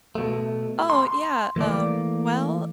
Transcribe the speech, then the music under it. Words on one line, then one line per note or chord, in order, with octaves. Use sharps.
Oh, yeah, um, well,
B2 A3
C6
E3 A3 A#3 D5